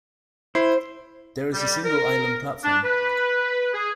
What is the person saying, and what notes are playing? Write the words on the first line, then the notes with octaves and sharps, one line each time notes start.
There is a single island platform.
E4 C5
G3
A#4
D4
B4
G#4